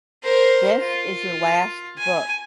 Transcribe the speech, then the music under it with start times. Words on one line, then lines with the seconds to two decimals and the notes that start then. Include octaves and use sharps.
This is your last book!
0.23 A#4 C5
0.81 F4
1.99 G#5